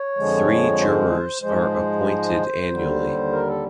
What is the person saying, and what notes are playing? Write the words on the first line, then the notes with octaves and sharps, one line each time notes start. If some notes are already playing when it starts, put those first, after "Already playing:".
Three jurors are appointed annually.
Already playing: C#5
F2 D3 F3 G#3
C5
G#2 F3 G#3 C5
D#2 D3 G3
A#4
A4